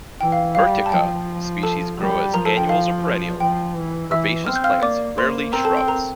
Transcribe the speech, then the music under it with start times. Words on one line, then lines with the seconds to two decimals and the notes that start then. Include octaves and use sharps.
"Urtica" species grow as annuals or perennial herbaceous plants, rarely shrubs.
0.21 E3 G5
0.32 F5
0.55 G3 F5
0.86 A5
0.92 F3 G5
1.63 A4 A5
1.98 G3
2.34 F3 A#4 A#5
2.45 A4 A5
2.57 G5
2.69 F5
3.40 F3 G5
3.76 E3
4.11 E3 E5 E6
4.47 C4 F6
4.56 G6
4.64 F5 F6
4.82 A#3 D5 D6
5.17 A#3 C5 C6
5.52 C4 A#4 A#5
5.65 A4 A5
5.77 G5
5.88 A#4 A#5